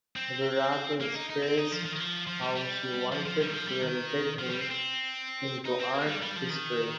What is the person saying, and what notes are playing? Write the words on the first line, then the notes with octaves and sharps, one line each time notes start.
Guirado expressed how she wanted to embed him into art history.
C4
A#3
D#4
D#4
C4
D#4
F3
F3
D#3
F3
F3
G3
G3
F3
F3
G3
D#3
F3
G3
D#3
F3
G3
C4
C4
D#4
C4
A#3
G3
G3
F3
D#3